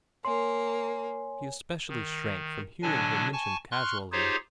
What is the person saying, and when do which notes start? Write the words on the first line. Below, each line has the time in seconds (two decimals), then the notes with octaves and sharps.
She especially shrank from hearing her mentioned casually.
0.25 A#3 C#5 G#5 C6
1.89 D#3
2.83 B2 D3 F#3 D4 G#5
3.33 G#5 A5 C#6
3.72 C6 C#6 F6 F#6
4.12 D#4 F4 G4 G#4 C5 C#5